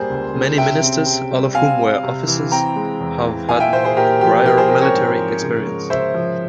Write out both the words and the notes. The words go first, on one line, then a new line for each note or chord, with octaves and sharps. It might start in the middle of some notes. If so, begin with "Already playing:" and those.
Many ministers, all of whom were officers, have had prior military experience.
Already playing: G3 A#3 G#4 C5
C#2
C#3
C3 E5 G5
C4
C3
G3
C4 F5 G#5
G3
C3
E3
C4 G5 A#5
G#3
E2
E3
A#2 F5 G#5
E5 G5
A#3 C5 E5
G#4 C5
A#2 G4 A#4
F3 G4
E4 G4 A#4
G#4 C5
C4 G4 A#4
A#4 C#5
G#2
F3
C#3
G#3
C#3 C5 E5
F3